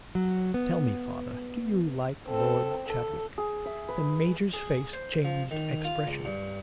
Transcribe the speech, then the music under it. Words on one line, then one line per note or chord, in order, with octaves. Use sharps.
'Tell me, father, do you like Lord Chadwick?' The Major's face changed expression.
F#3
B3
C4 A4
A4
G#4
E5
B4
G#4
C5
F3
D#3
F4
C#2
G2